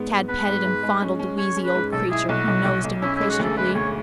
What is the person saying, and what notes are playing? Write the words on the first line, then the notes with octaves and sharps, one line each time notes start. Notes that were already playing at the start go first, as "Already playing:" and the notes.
Tad petted and fondled the wheezy old creature, who nosed him appreciatively.
Already playing: G#2 B3
G#2
B3 B4
G#2
G#2
G#3
C#4
C#4
C#4 C#5
C#4
B4
G#2
B1 A4
E4 G#4
B1 F#4
B1
B1
B1
C#4 E4
E4
G#3
F#4
D2 A4
G#3 B4
D2 C#5